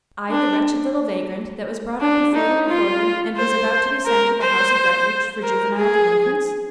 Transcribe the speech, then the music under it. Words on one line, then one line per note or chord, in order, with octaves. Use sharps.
I, the wretched little vagrant that was brought up before the recorder and was about to be sent to the House of Refuge for juvenile delinquents?
D4
D4
D#4
F4
C5
A#4
C5
A#4
G#4